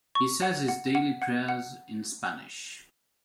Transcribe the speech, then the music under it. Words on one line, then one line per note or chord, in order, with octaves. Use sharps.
He says his daily prayers in Spanish.
C#6
F#5
F#5
F#5
F#5
F#5